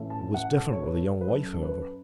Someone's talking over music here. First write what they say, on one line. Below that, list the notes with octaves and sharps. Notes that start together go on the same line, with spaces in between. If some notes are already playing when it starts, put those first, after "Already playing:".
It was different with the young wife, however.
Already playing: A2 E3 A3 C#4
A5
F#5
A4
C#5
B4
A4
B4
F#2 F#3 C#4 A4
A4
B4